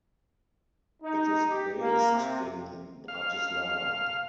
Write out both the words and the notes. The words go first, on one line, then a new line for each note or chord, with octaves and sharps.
It is based in Bratislava.
D#4
G4
A#3
C3
F5